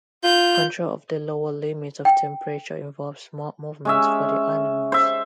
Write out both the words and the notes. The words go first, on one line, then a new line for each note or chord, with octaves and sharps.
Control of the lower limits of temperature involves more movement for the animals.
F4 G6
G5
G#3 C#4 E5
C5 E5